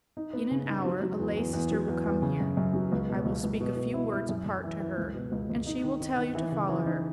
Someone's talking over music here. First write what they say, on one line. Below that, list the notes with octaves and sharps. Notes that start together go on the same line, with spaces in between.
In an hour, a lay-sister will come here, I will speak a few words apart to her, and she will tell you to follow her.
D#4
B3
C#3
D#4
F#3
F#3
E2
E2
E2
F#3
E2
E2
C#3
F#2
F#2
F#3
C#2
B2
C#2
C#2
B2
B2
E4
E4
F#2
F#2
E3
E3
C#2
B2
C#2
C#2
D#4
D#3
D#3
D#3
E3
C#3
E3
D#4